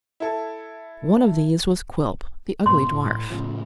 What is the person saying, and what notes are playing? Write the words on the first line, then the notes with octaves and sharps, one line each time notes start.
One of these was Quilp, the ugly dwarf.
E4 A4
G2 A#2 B3 C6
A2
A2 C#3 F3